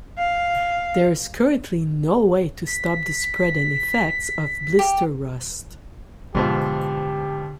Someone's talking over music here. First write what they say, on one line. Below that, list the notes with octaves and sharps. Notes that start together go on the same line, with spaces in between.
There is currently no way to stop the spread and effects of blister rust.
F5
B6
G4
G#2 B2 D3 F3 G4